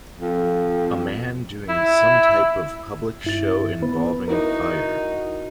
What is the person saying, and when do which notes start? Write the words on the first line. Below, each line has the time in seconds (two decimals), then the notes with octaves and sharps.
A man doing some type of public show involving fire.
0.20 F2
1.69 E4
3.24 G2 E4 A6
3.82 B3 B4
4.28 D#4 E4 F#4 A#4